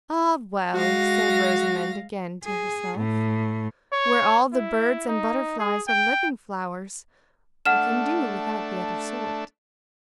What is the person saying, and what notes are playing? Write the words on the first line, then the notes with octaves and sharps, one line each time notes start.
"Ah, well!" said Rosamond again to herself, "where all the birds and butterflies are living flowers, we can do without the other sort."
G#3 F#4 F5 A#6
G#4
A2
C#5
E4
D#4
G#4
G5
A3 D4 F#5 F6 E7